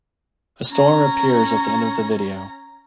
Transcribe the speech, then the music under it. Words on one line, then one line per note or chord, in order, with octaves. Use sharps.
A storm appears at the end of the video.
C#4 A#5